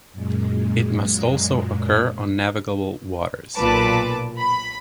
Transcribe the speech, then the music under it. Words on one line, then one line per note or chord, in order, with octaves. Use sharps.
It must also occur on navigable waters.
F#2 A#2 G#3
B1 A#2 B4 A5 D6
B5